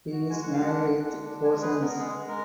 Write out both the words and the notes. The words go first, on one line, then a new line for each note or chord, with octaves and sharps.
He is married with four sons.
F#4
G#3 G#5
F#5
G#3 F5
D4 F#5
G#3
G#3
D4
G#3 G#5
G#4 B4
B3 A#4
G#3 G#4
G#3
A#4